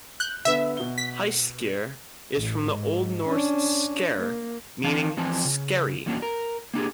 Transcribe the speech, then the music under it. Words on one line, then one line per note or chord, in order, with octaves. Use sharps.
Hyskeir is from the Old Norse "sker" meaning skerry.
F#6 G6
D3 B3 E5
B2 G7
B6
A1
G#2
C#4 D4
A#3
E3 C4 F5 A5
E3 F3 C4 F4 G#5 A5
C#3
E2 F#3 A#3 C#4 D4
A#4
A#3 D4 G4 G#4